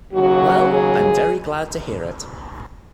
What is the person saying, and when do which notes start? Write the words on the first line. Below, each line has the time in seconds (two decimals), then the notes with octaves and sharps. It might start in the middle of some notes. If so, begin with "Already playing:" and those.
Well, I'm very glad to hear it.
0.13 D#2 C#3 F#3 F#4
0.72 G#4